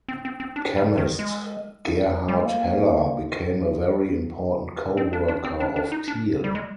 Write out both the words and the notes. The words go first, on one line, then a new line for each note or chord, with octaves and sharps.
Chemist Gerhard Heller became a very important co-worker of Thiel.
C4
C4
C4
D4
G3
D#3
G#3
G3
G#3
A#3
C4
D4
D4
C4
D4
D4
D#4
D4
G3
G#3